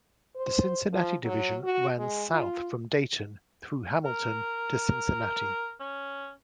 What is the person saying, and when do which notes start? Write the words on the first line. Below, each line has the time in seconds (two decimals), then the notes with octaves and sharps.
The Cincinnati Division ran south from Dayton through Hamilton to Cincinnati.
0.36 C5
0.93 F3
1.25 F#3
1.64 F#4
1.98 G#3
2.31 F4
4.05 A#4
5.80 C#4